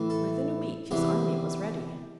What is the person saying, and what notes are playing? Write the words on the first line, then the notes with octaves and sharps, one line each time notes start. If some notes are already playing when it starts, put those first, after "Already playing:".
Within a week, his army was ready.
Already playing: A2 E3
A4
E2 C3 E3 G4